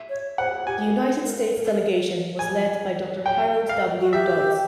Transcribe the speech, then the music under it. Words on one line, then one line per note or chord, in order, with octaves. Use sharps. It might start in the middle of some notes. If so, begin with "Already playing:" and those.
The United States delegation was led by Doctor Harold W. Dodds.
Already playing: E5
C#5
C5 F#5
G4 G#5
A#4
A4
A#4
A#4
A4
A#4
G#5
G5
F5
F#4
G4 E5